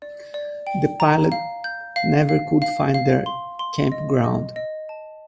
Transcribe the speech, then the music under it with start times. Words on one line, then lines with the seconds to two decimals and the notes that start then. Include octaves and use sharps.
The pilot never could find their campground.
0.02 D5
0.34 D5
0.67 G5
1.00 A#5
1.32 F5
1.64 G6
1.96 F5
2.29 F5
2.62 F5
2.94 F5
3.26 C6
3.59 C6
3.92 D#5
4.24 D#5
4.56 D#5
4.89 A5